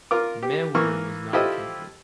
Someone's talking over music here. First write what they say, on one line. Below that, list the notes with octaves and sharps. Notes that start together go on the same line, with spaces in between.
Mewhirter was not a candidate.
F4 A#4 D6
G4
E3 A#3 C#6 F6
E4 F4 G4 A4 C5 D#5